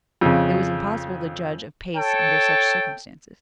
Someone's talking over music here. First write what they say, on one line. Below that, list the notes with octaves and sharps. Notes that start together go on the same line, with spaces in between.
It was impossible to judge of pace under such circumstances.
F2 C#3
A4 C#5 G5 A5